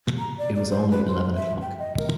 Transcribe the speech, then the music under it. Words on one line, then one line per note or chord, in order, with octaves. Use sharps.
It was only eleven o’clock.
A#5
D5
D5
C5
B4
C6
E5
G5
D#5
A#4